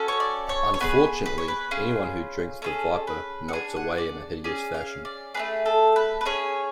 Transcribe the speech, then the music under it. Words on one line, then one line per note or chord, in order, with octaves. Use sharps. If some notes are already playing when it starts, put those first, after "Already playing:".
Unfortunately, anyone who drinks the Viper melts away in a hideous fashion.
Already playing: C#4 F#4 A4
C#5
D5
C#5
C#5
B3 D4 G#4 B4
B4
C#5
B4
C#4 F4 G#4
C#4 F4 G#4 A4
B4
F#5
D4 G#4 G#5
F#5
D5
C#4 G#4 D5
F5
D5
A3 D4 G#4 B4
A4
B4
B4
C#4 G#4 C#5